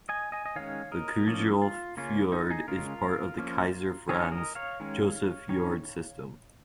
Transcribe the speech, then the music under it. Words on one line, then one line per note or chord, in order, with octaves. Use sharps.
The Kjerulf Fjord is part of the Kaiser Franz Joseph Fjord system.
D#5 G#5
D#5 G#5
D#5
D#3 G#3 C#4 C#5 F5
A#4 D#5
F3 A#3 C#4 D#4
F4
C#3 A#3 C#4 F4
D#4
D#4 G#4
C#3 G#3 C#4 F4 A#4
F3 A#3 C#4
D#3 C#4 G#4 C#5
C#5
A#4 D#5
C#5 F5
D#3 G#3 C#4
D#3 C#4